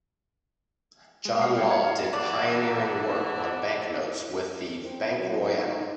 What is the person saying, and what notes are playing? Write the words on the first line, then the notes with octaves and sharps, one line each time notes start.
John Law did pioneering work on banknotes with the "Banque Royale".
G#3
F6 C7
G3 A#3 F#4 C#5 G5
C#5
E3 D5 F#5 A5 D6
C4
F#2
D#4